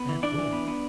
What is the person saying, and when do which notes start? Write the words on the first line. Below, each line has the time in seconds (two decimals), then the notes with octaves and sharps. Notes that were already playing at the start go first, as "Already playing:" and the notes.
Yeah, cool.
Already playing: B3
0.09 E3
0.23 E3 D4 D5
0.38 E3
0.53 B3
0.68 B3